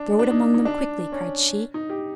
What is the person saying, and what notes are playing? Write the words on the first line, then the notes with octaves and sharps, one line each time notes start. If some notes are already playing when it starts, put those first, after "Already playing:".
"Throw it among them quickly!" cried she.
Already playing: D4
D4
D#4
D#4
D4
C#4
D#4
G4